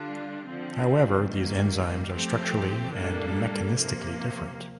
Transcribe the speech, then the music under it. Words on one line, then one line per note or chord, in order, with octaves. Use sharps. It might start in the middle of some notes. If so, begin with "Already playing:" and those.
However these enzymes are structurally and mechanistically different.
Already playing: D3 G3 D4 F4
D3 F3 C4
D#3 G3 A#3
F3 A3 C4 G4
A2 G3 A#3 D4 A4
C3 F3 A#3